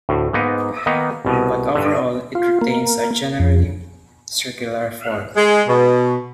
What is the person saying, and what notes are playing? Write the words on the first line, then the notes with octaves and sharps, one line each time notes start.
But overall it retains a generally circular form.
D2 A2
G#2 A#3 B3 D#4
D#3 A#3 B3 D#4
C2 B2
G2 D3
F4
A#3
F2
G#3
B2